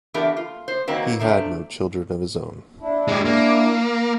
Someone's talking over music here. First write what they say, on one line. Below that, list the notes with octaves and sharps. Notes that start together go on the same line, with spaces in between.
He had no children of his own.
E3 A3 B3 D4 G4 A#4
F4
C5
D#3 F#3 A#3 C4 B4
C3 F3 A3 D4
D4 E4
G#3 G4
A#3